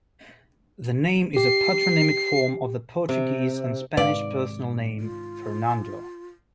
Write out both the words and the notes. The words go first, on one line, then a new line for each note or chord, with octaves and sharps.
The name is a patronymic form of the Portuguese and Spanish personal name "Fernando".
G4 C7
C3
G#2 C3 D#3 B4 D5 F5
F4